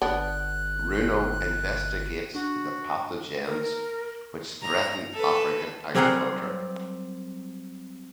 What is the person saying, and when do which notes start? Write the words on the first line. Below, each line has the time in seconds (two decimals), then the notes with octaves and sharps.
Runo investigates the pathogens which threaten African agriculture.
0.02 G1 B3 D4 F#6
2.35 D4 F#4
3.45 A#4
4.62 A#5
5.14 A4 B4
5.95 F#3 G3 C4 G#4 A#4 F#5